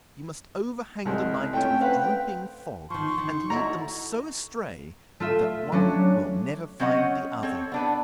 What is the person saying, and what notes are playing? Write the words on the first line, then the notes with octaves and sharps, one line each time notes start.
You must overhang the night with drooping fog, and lead them so astray, that one will never find the other.
C2 G#3 C4
A3 C4 C#4 G5
B4 C5 F5 F#5
G5
D#3 F3 C6 C#6
D#3
E4 F#4 A4 D5 D#5 A#5
A3 F4 E5
F#3 C#4 D4
F#3 C4 C#4 D#5 F#5
C4 A4 C#5
B3 D4 B4